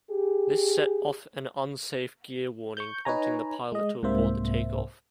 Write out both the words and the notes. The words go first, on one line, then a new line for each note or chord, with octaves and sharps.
This set off an "unsafe gear" warning, prompting the pilot to abort the takeoff.
G4 G#4
C#6 G6
D#4 B4 C#5 G#5 A#5
G#3 D#5
C2 G#2 C3 A#3 C5 E5